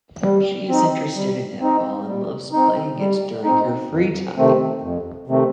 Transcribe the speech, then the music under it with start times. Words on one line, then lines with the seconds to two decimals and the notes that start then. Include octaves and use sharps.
She is interested in netball and loves playing it during her free time.
0.23 G3
0.69 C4 D#4
1.15 G3
1.61 C4 D#4
2.06 G3
2.52 C4 D#4
2.98 G3
3.44 C4 D#4
3.90 F2
4.37 C3 D#3 A3 C4
4.82 F2
5.27 C3 D#3 A3 C4